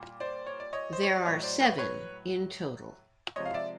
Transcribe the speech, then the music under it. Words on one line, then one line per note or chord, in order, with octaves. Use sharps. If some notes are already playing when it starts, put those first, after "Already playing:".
There are seven in total.
Already playing: A#2 G3
C5 D5
C#5
D5
C#5 D#5
C5
C#5
D5
A2 F#3 C#5 D#5
C5 D5
B4 C#5
B4 C#5
C3 F3 G#3 C#5 D#5
F5
D5 E5